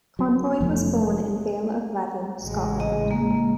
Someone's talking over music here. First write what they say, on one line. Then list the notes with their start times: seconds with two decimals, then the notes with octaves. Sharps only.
Conroy was born in Vale of Leven, Scotland.
0.19 F#3
0.61 F1 F3 F#3 A3
2.42 A1 C#3 G#3
2.80 D#5
3.11 A#3